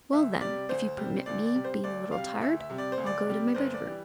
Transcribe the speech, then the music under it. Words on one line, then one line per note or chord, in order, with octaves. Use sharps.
'Well, then, if you permit me, being a little tired, I'll go to my bed-room.'
D2 E5
C3 G3 D5
D2 C5
C3 G3
D2 D5
D5
C3 G3
C5
D2 D5
C3 G3 F5
D2 E5
E5
C3 G3
D5
C5
D2
D5
C3 G3
G1 C5
D5
E3 G3